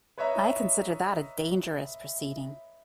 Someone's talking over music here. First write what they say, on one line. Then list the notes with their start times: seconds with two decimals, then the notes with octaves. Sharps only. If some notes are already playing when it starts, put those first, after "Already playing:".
I consider that a dangerous proceeding.
0.18 B4 C#5 D#5 E5 A#5